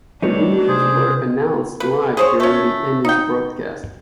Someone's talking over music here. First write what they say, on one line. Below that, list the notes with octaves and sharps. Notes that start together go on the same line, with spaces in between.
The winners were announced live during the Emmys broadcast.
G3 A3 B3 D4 D#4 C#5
C3 G#4 C5
B4
G#4 C5 C#5
A3 C#4
D#4 G5